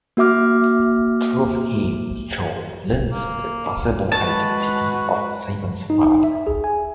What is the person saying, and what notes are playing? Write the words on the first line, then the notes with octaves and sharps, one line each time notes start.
Through him, Joe learns the possible identity of Simon's father.
A#3 F#4 E5 D6 F6
A#3
G#3 F#4 B4 A5
D#4
D#4
E5
G#4
G#5